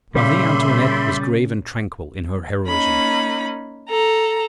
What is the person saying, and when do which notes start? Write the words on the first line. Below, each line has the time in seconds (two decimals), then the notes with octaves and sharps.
Marie Antoinette was grave and tranquil in her heroism.
0.15 A#2 C#3 G3 C#4 E5 B5 C6
2.67 A#3 C#4 D#4 B5
3.89 A4 A#5